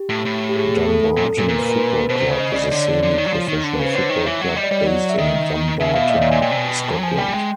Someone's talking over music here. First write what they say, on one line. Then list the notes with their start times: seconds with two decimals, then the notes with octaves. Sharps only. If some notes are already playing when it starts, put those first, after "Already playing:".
Dumbarton Football Club is a semi-professional football club based in Dumbarton, Scotland.
Already playing: G4
0.09 A2
0.25 A2
0.49 G4
0.56 G#4
0.86 A4
1.17 A#2
1.38 A#2
1.48 A#2 A#4
1.59 B4
1.68 A#4
1.79 B4
2.09 B2 C5
2.20 C3
2.30 C#3
2.40 D#5
2.53 D5
2.66 C#5
2.72 D3
2.77 D5
2.95 D5
3.02 D3 C#5
3.18 D#3
3.26 F#3
3.33 F3
3.48 D#3
3.64 D3
3.75 B4
3.79 C#3 C5
3.94 D3 C#5
4.09 D#3
4.26 E3
4.41 F#3
4.56 G3 D#5
4.63 D5
4.71 G3 C#5
4.78 D5
4.87 F#3
5.09 E5
5.18 D#3 D#5
5.80 C#3 E5
5.94 B2 F5
6.02 E5
6.10 A#2 D#5
6.16 C#5
6.20 A#2 D5
6.31 A#2 G#5
6.41 A#2 G5
6.51 C3
6.57 B2
6.97 F#3
7.03 F3 G#5
7.18 G3 G5
7.34 G#3 G5